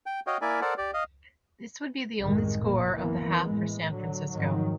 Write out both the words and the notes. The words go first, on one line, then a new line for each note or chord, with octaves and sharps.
This would be the only score of the half for San Francisco.
G5
F#4 C#5 D#5 F5 G5
A#3 E4 A#4 D5 E5 G#5
A4 A#4 C5 D5 F#5
G4 D5
D#5 F5
C2 F#2 A2 D#3 G#3
F1 A#2 A#3
F#2 E3 A#3 B3
A2 E3 G#3
D3 F#3
F2 G#2 D#3 F#3